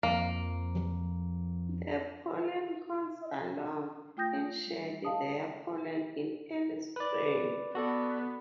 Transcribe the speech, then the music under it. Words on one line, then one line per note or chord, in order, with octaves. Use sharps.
The pollen cones are long, and shed their pollen in early spring.
F2 F3 A#3
A3 F4 G5 D#6 G6 A#6
G3
D#5 F5 A5 D#6
B4 D5
B3 F#4 A4 D5